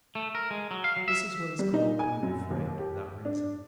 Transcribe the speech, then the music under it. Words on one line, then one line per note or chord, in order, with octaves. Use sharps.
This is what is called being afraid without reason.
A3
A#4
G#3
F#3
F5
F#3
E5
G3
D#4
G#5
F#2
D#2
G4
D4